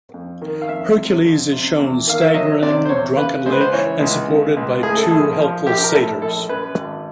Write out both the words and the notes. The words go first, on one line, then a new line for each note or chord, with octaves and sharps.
Hercules is shown staggering drunkenly and supported by two helpful satyrs.
F2
D#3
F5
F2 E5
C3
F2
C3
E2
D#3 F5
E5
F#3 D#5
C3 D5
C5
E2 C#5
C#3 B4
C#2 C5
B4
C5
E3 C#5
C#2
C#3
C#2
A2 G#4
A4
A#1 G#4
F3
A#1 G4
A#4
A2 A4
A#1 A4
F#2 B4
G#1